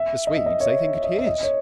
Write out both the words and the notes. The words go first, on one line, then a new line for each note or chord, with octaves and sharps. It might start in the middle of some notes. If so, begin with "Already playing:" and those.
The Swedes, they think it his.
Already playing: E5
D#5
E5
D#5
C#5
C#5
D#5
E5
D#5
C#5